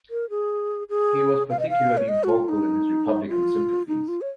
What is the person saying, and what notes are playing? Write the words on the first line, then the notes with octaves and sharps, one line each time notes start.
He was particularly vocal in his republican sympathies.
A#4
G#4
G#4
F5
D#5
F5
C#5
D#5
F#4
F4
D#4
F4
D#4
F4
C#5